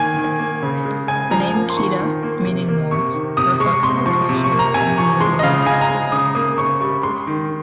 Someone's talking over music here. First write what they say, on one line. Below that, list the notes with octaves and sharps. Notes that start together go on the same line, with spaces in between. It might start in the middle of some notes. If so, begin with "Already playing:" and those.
The name "Kita," meaning "north," reflects the location among the wards of Tokyo.
Already playing: D#3 A#3 G#5
D#3
A#3
C#3
G#3
C#3 G#5
F3 A#5
A#3
C6
D#3 C#6
D#3
A#3
C3
A#3
C3 C#6
D#3
C3 D#6
G#3 C#6
C#6
C3 C6
F3 C#6
C3
C#6
A#3
A#5
C3 G#5
F3 C#6
G#3 C6
D#5
C#3 F5
C#3 G#5
A#5
G#3
C#3 D#6
A#3 D#6
C#3 C#6
G3 C#6
G#3 C6
D#3